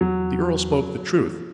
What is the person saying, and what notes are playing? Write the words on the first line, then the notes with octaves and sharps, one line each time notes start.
The earl spoke the truth.
E2 F#3